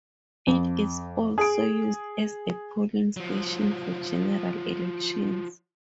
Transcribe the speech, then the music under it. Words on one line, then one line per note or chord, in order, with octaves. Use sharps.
It is also used as a polling station for general elections.
F2
G#4 D#6 D7
F3 F#3